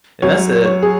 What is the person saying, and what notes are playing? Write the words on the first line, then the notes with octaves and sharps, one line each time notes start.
and that's a
F#2 F#3 C#5
C#5
G#4